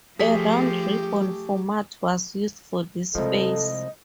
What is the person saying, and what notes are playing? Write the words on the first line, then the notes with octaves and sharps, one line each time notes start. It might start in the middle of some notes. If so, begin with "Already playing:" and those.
A round robin format was used for this phase.
F3 A3 G4 G#4 B6
C2 C3 F3 G#3 A4 D#5